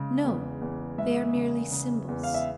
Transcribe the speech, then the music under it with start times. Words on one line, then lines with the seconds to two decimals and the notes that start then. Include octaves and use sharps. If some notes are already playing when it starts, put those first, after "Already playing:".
No, they are merely symbols.
Already playing: C#3 G#3
0.24 E2
0.62 E2
0.98 G#3 E5
1.35 C#3
1.72 C#3
2.08 E2
2.24 F5
2.34 E5